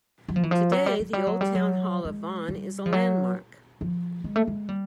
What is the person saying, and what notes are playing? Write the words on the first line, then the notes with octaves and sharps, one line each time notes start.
Today, the old town hall of Vaughan is a landmark.
F#3
F3
E3
F3
F#3
G3
F#3
G3
F#3
G3
F#3
G#3
G3
F3
F#3
F3
G#3
A3
G#3
G3